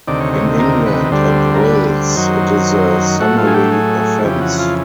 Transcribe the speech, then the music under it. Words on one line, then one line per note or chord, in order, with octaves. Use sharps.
In England and Wales, it is a summary offence.
D2 C3 D#3 D5
C#5
C#5
A#4
B4
D2 D3 G3 C5
A#4
B4
C5
F#2 D#3 F#3
A2 F#3 A3 F#4
F4
G#4
G4
G#4
F2 C#3 E3 G4
F#4
F4